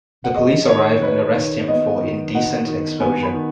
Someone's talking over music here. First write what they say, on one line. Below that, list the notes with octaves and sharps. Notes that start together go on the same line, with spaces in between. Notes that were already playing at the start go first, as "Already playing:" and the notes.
The police arrive and arrest him for indecent exposure.
F#5
G#3 D#5
D#3 C#5
D#4 B4
D#3
B3 D#5
D#3
D#4 F#5
D#3
B3 G#5
B5
D#3